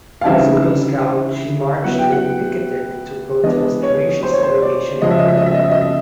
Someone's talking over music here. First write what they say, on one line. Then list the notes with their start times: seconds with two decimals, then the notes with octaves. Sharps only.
As a Girl Scout she marched and picketed to protest racial segregation in Birmingham.
0.21 F5
0.25 C#3 E3 G3 C4 D#4 E5
1.84 F#3 B3 E4 F#5
1.98 G5
2.12 F#5
3.43 E3 G#3 B3 D4 D#5
3.83 C#5
4.23 C5
4.33 C#5
4.43 C5
4.62 D5
5.02 C#3 F3 G#3 C#4 F4 D#5
5.11 E5
5.19 D#5
5.28 E5
5.37 D#5
5.46 E5
5.54 D#5
5.64 E5
5.71 D#5
5.81 E5